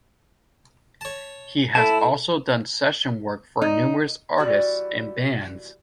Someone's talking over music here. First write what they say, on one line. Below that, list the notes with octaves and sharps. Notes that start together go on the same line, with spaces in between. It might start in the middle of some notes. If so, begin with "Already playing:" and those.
He has also done session work for numerous artists and bands.
C#5 A5
A2 E4 A5
D#4
E3 G3 F#4 D5